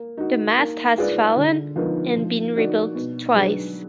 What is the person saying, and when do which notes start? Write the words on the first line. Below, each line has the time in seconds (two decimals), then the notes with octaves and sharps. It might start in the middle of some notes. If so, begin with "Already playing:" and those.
The mast has fallen and been rebuilt twice.
Already playing: A#3
0.17 D#4 F#4
0.57 A#3
0.97 F4 G#4 B4 D5
1.36 D3
1.76 F3 B3 D#4 A#4
2.16 F3
2.55 A#3 D#4 F#4 D5
2.95 B2
3.34 F#3 D4 G#4 B4